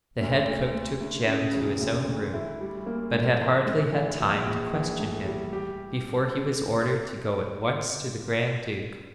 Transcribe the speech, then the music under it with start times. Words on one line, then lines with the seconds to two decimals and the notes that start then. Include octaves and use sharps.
The head cook took Jem to his own room, but had hardly had time to question him before he was ordered to go at once to the grand duke.
0.21 D2
0.48 D2
0.75 D2
1.00 D2
1.27 C#3
1.54 E1
1.81 D2
2.08 D2
2.34 E4
2.61 G3
2.86 A#3
3.13 A2
3.40 E3
3.66 A2
3.93 E3
4.20 A#1
4.46 A#1
4.73 E3
5.00 A2
5.25 G3
5.53 G4